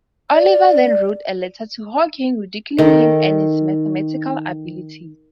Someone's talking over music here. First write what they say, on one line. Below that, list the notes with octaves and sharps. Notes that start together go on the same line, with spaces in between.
Oliver then wrote a letter to Hawking, ridiculing him and his mathematical abilities.
D5
D#3 A4